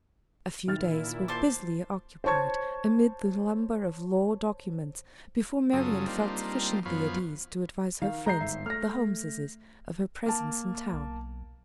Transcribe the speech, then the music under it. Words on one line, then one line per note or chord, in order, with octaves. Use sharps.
A few days were busily occupied amid the lumber of law documents, before Marian felt sufficiently at ease to advise her friends, the Holmeses, of her presence in town.
A#2 D#3 E4 F6 A6
C5 A5 D6
C5 C#5 A5 C#6 G#6
F#2 C#3 F#3 F4 A4 D#6
G3 A#3 C4 D4 D#4 F4
F#2 F3 B3 C#5 F5 B5
D#3 F5
G#3 A#5 G6 C7
G1 G#2 E5
A3 F6 A#6
A#3 A5
B1